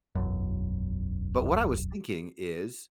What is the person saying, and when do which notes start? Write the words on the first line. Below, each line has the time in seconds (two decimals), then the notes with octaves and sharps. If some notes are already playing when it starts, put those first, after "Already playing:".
but what I was thinking is,
0.15 E1 B1 F#2